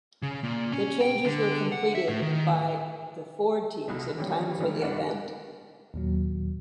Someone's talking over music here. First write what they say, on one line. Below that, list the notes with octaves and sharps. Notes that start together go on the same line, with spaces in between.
The changes were completed by the Ford teams in time for the event.
C#3
A#2
C#4
G5
D3
F#5
E5
A2
D#3
C2 B2
D#3 E3 G3 A#3 C#4 D4
D3 E3 G3 A3 A#4
G2 D5 F#5 D7
D#2 A#2 F#3